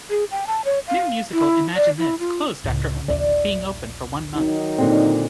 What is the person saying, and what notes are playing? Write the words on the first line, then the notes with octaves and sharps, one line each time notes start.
New musical Imagine This closed after only being open for one month.
G#4
G5
A5
C#5
F5
E4
D5
E4
F4
C#2 A2
A#1 D#2 D5 E5
D#3 F#3 D#4
A#2 D3 C4